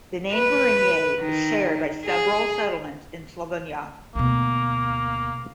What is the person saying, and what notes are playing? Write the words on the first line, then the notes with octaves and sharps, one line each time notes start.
The name "Gorenje" is shared by several settlements in Slovenia.
B4
D#3
G#4
D2 B2 A#3